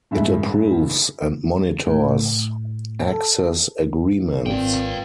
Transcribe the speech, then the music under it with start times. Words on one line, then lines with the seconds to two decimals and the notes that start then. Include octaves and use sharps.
It approves and monitors 'access agreements'.
0.11 A1 G2 G#3 E5
1.87 A2
3.08 A4
4.46 G#1 A#2 C4 B4 G5